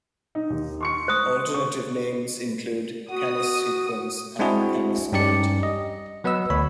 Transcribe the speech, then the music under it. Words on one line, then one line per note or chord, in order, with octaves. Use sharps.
Alternative names include Canis Sequens and Canis Alter.
D#4
D#2
C6 C#6 C#7
C5 D#6
C#6
F#4 D#6
G#3 C4 D4 E4 F#4 G#4
G2 C#4 D#4 G4 D5 C#7
D#5
F#3 B3 B4 D#5 E6
D2 C#5 B5